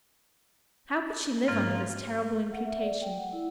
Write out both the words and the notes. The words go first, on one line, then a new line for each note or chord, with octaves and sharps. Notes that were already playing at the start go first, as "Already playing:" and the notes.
How could she live under this terrible imputation?
G#2 A#3 F4
F#5
E5
D5
G5
F#5
E4